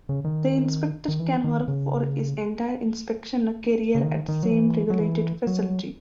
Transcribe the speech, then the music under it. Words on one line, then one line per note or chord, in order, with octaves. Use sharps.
The inspector can work for his entire inspection career at the same regulated facility.
C#3
D#3
D#3
E3
D#3
C#3
C#3
D#3
D#3
F#3
E3
F#3
E3
F#3